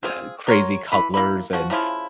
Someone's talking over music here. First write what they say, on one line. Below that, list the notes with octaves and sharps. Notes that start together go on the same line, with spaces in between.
the crazy colors and
C4 F4 G#4
F#3 A#4 C#5 C6
E3 B5
A#3 E4 B5
F3 F#4
C#3 F3 E4 F4